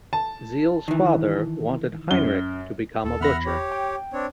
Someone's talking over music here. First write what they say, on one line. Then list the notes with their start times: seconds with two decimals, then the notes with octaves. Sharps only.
Zille's father wanted Heinrich to become a butcher.
0.13 A5
0.88 D#3 E3
2.11 F#2 G7
3.04 D#2 A4
3.21 E2 E5 F#5 B5 F6 A#6
3.46 G4 C#5
3.72 G5
4.13 C4 D4 C#5